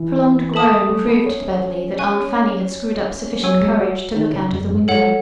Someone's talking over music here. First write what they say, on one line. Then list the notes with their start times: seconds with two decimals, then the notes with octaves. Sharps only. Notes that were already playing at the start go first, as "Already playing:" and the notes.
A prolonged groan proved to Beverly that Aunt Fanny had screwed up sufficient courage to look out of the window.
Already playing: E3
0.54 A4 E5 A5 D#6
0.72 G#3
0.89 A3
1.08 B3
1.26 C#4
1.98 C#5 G#5 C#6 F#6
3.43 F#3 C#5 G#5 C#6 E6
3.61 G#3
3.80 F#3
4.16 D#3
4.33 C#3
4.52 F#2
4.70 G#2
4.88 G#2 A4 C#5 F#5